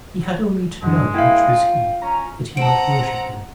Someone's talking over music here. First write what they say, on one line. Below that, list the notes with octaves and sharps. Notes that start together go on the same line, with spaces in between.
He had only to know which was he, that he might worship him.
F#2 D3 G#3
A#3 E4 F5 G5
F4
C#4 A#5
C4 F#5 A5 A#5 D7